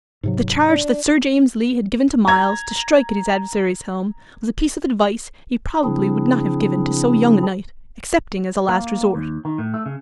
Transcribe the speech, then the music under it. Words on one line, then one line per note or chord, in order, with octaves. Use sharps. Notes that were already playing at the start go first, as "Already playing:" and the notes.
The charge that Sir James Lee had given to Myles to strike at his adversary's helm was a piece of advice he probably would not have given to so young a knight, excepting as a last resort.
G#2 C3 F#3
D4
A#5 G#6
C#3 F3 C4 D4 E4 G#4
A#3
D#2
D#3
A2
A3
C#3